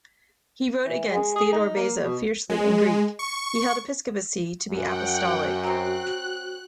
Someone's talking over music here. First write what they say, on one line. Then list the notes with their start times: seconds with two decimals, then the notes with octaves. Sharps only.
He wrote against Theodore Beza fiercely in Greek; he held episcopacy to be apostolic.
0.86 E3
1.08 G#3
1.36 G#4
1.52 D#4
1.76 A#3
2.04 B2
2.50 G#3
3.19 C#6
4.70 F#2 F#4 F#5 G5
5.63 F#3 C4 F#6